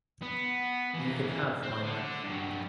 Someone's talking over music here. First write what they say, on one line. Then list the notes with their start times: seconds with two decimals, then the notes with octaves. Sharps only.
You can have my money.
0.22 B3
0.94 E3 A#3
1.63 C4
1.83 D3 D4
2.23 G2 F#3